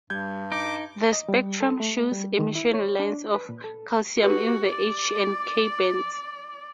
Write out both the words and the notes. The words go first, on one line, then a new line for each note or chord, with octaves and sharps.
The spectrum shows emission lines of calcium in the H and K bands.
G2 G3 G6 G#6
D#4 D6 D7
D#5
G3
A4
A3
G3
D#3
E4
C#5
D4
B4
A#2
A4
F#4 G4 B4
D5